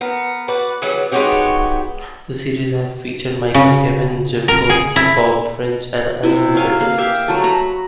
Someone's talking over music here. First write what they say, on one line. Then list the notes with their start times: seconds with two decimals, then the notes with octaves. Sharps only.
The series has featured Michael Carvin, Jimmy Cobb, Bob French, and Alvin Batiste.
0.01 B3 A#4
0.48 F#4 B4 D5
0.82 C#3 E3 F#3 G3 B3
1.11 G#3 B3 D#4 F#4 G4 C#5
3.54 C#3
4.48 A#4
4.69 G#4
4.96 E4
6.23 C3 E4
6.55 F#3 F5 G#5
6.80 A#3 F5
6.98 G4 E5 F5
7.28 F#3 A3
7.43 A#5 B5